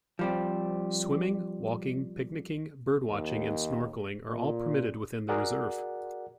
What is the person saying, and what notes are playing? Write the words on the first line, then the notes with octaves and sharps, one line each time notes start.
Swimming, walking, picnicing, bird watching and snorkelling are all permitted within the reserve.
F3 G3 C4
D#2
A#2
F#4 G#4 A#4 D5 F#5